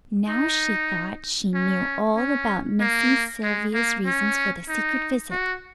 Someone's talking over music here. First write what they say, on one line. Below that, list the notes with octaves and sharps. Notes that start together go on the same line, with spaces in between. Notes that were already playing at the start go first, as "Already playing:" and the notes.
Now, she thought, she knew all about Missy Sylvia's reasons for the secret visit.
D#4
C#4
C#4
A#3
G#3
A#3
C#4
D#4
F#4